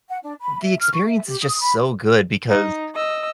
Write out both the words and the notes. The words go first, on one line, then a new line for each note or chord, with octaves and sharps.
The experience is just so good because,
F#5
D4
B5
E5
F6
C#6
E5
G4
D#6
B5
D#4
D#5 E6